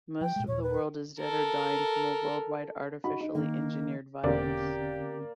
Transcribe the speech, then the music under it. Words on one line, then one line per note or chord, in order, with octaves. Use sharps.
Most of the world is dead or dying from a worldwide, artificially engineered virus.
F3 G5
A#2 G#3
D#2 A#2 C#5
B4
A4 A#4
D#4 F#4 B5
D#4
D#3 A#3
E1 D3 A#3 C4 C#4 G4 D5